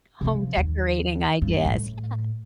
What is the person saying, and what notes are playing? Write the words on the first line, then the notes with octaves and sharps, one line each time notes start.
home decorating ideas Yeah,
C3 F3
D#2
G2
A2